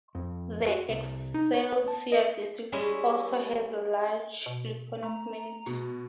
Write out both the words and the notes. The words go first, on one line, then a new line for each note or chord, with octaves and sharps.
The Excelsior District also has a large Filipino community.
F2
F#4
C2
D#4
C#5
A5
D#5
G3 G#3 C#4 E4 D#5
B2
A3 A#5
B2